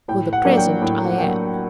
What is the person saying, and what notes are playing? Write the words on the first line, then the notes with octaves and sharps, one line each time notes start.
"For the present I am."
A2 G5
F#5
F#3 A#3 D4
G5
A2
F#5
F#3 A#3 D4 G5